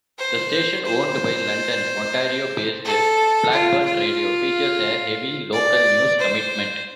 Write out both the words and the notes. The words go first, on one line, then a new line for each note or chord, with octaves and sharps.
The station, owned by London, Ontario-based Blackburn Radio, features a heavy local news commitment.
C5
C5
A4
F4
F4
D5
C5